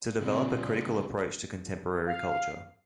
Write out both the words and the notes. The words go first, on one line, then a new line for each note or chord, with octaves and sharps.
To develop a critical approach to contemporary culture.
A#2 C#3 G3 A#3 C4 D4
F5